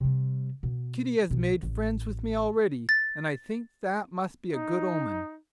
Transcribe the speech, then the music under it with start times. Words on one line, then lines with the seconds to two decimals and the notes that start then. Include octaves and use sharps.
"Kitty has made friends with me already, and I think that must be a good omen."
0.01 C3 G3
0.63 B2
1.30 B1 B2
1.63 A1
2.89 A6
4.52 D#4